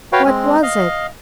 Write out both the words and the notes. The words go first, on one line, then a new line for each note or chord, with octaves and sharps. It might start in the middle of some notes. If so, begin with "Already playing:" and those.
What was it?
F#4 B4 C#5 F5 G5
G#3 C4
D#5 F5